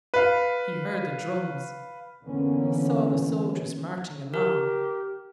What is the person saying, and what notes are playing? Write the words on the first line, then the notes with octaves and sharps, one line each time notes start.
He heard the drums, he saw the soldiers marching along.
B4 F5
D3 E3 A#3 B3 C#4
G4 A#4